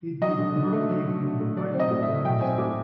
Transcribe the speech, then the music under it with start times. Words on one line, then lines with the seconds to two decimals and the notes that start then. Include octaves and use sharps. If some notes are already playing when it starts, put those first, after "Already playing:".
He did not give him the right of any Muslim.
0.21 F#3 D#5
0.39 D3
0.56 D3
0.72 A3
0.89 F#3
1.05 D3
1.23 D3
1.40 A3
1.56 F#3 D5
1.74 C4
1.79 D#5
1.91 A2
2.02 E5
2.08 A3
2.25 F#3 G5
2.41 C4 G#5
2.58 A2 D6